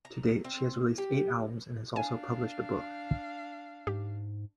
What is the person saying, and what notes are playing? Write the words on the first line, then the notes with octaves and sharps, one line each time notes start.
To date, she has released eight albums and has also published a book.
A#5
C4
G4
D4 F5 G#5
G#2 G4